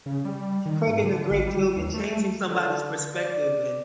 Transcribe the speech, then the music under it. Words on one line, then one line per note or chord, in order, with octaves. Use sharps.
Cracking a great joke and changing somebody's perspective and
C#3
G3
D#3
G#2
D3
G#1
G3
D#2
A3
D3
D5